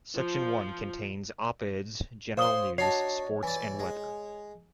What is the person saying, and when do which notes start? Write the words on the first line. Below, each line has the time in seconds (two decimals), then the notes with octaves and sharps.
Section one contains op-eds, general news, sports, and weather.
0.14 F3
2.37 C5 C#5 F5 C6 D#6 G7
2.78 D4 D#4 F#4 C#5 A5 C7
3.43 E3 D5 G#5
3.79 G#3